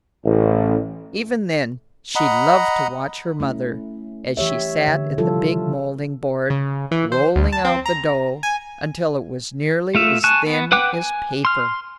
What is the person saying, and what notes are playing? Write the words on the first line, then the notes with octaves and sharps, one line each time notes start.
Even then she loved to watch her mother as she sat at the big moulding-board, rolling out the dough until it was nearly as thin as paper.
A1
D#5 F#5 A#5 B5
A3 C#4 E4
E3 G4 C#5 E5
D3
C3 F3 G3 E4 F4 A4
C#3
E3
C5
D2
A5
C4
A#5
G#5
A3 F4 E5
G#5 A5 C#6 F#6
B3
B4 F#5 G5 D6 F#6
G#5
C6 F6